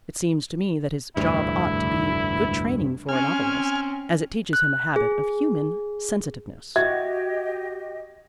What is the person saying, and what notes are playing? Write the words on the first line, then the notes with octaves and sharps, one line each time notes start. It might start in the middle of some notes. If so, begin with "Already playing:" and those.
It seems to me that his job ought to be good training for a novelist, as it teaches him a habit of human sensitiveness.
F1 D2 G2 E4
C4 C#4 G#5 F6
F#6
G#4
F#4 G4 D#5 E5 G#6